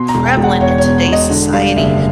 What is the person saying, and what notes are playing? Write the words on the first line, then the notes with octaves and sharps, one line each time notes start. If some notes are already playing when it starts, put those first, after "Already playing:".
prevalent in today's society,
Already playing: B2 C6
A#5
E1
G5
E1
F#5
E2 C#5
C#5
B2
E1
D#5
D3
G3 F5
F#1 E5